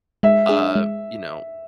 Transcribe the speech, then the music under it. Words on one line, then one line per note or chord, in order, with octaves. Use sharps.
uh, you know,
G#3 E5
D4 G#4
G#3